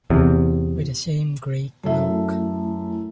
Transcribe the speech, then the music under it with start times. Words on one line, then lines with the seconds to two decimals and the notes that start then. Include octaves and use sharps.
With the same grey cloak.
0.10 E2 C3
1.84 F#2 A3 E4 A4 E5